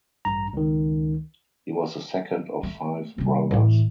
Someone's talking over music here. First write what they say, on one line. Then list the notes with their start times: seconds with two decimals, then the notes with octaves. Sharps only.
He was the second of five brothers.
0.25 A1 G2 A#5
0.53 C#2 D#3
2.63 A3
3.18 C3 G3
3.51 A2 E3